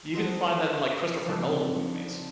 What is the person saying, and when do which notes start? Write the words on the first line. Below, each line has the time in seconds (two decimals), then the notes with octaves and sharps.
You even find that in, like, Christopher Nolan movies,
0.14 C4 D#4 F#4 A4 C5
1.25 C#3 F3 C4 D4 D#4